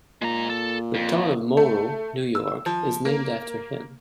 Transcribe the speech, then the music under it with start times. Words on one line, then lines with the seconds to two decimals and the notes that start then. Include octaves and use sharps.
The town of Moreau, New York is named after him.
0.22 A#2 G#3 A#5
0.50 A4
0.95 F2
1.57 A3
2.35 E6
2.66 F3
3.05 A#3